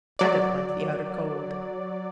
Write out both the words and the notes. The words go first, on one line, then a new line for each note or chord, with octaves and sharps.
I don't like the outer Cold.'
F#3 D5